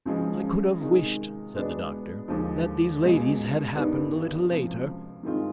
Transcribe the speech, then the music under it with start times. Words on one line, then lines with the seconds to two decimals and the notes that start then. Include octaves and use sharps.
"I could have wished," said the doctor, "that these ladies had happened a little later...."
0.05 C#2 C#3 F3 G#3 C#4
0.81 C3 D#3 G#3
1.54 B2 G#3 B3 D4
2.28 D#2 D3 F3 G#3
3.02 C#2 B2 G#3
3.75 G2 D#3 G3 B3 D4
4.50 C#2 C3 F3
5.23 G2 D#3 G#3 C4 F4